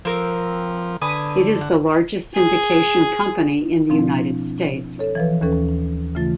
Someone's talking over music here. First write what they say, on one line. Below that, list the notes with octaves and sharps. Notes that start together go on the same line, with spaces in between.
It is the largest syndication company in the United States.
F3 C4 A#4
D3 B4 G#5 D#6
F#5
G#4
B2 F3 C4 D4 E4
A4 C#5
E3 F3 B4
D#2 E3 C#4 A4 B4
C#3 E3 A3 F4 A6